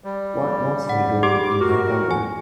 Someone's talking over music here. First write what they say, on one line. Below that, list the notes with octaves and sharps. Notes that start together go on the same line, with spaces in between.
What was he doing in her company?
G3
F#5
G4 D6
F#4 A#4
G#5